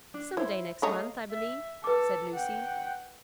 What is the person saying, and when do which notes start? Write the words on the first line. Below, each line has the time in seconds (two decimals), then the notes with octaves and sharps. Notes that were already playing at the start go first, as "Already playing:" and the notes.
"Some day next month, I believe," said Lucy.
0.14 D4
0.37 E4 C5 C#5
0.82 A3 G#4 C#5 D#5 F5 A#5
1.31 E5
1.84 A4 B4 D6
2.34 F#5 G5